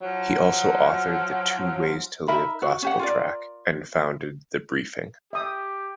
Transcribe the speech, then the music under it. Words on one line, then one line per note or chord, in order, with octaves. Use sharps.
He also authored the "Two Ways To Live" gospel tract and founded "The Briefing".
F3 F#3
D#4 A#4 E5 B5
F#4
C#4 G4 F#5
F4 A#4 D5
G4 E5 D#6